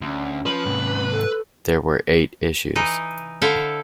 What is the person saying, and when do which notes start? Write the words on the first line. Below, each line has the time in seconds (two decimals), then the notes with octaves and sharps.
There were eight issues.
0.02 D2 C#4
0.46 F3 B4
0.66 G#2 C3
1.11 A4
2.76 E3 D#4
3.42 D3 E4 A4 C5 E5 F5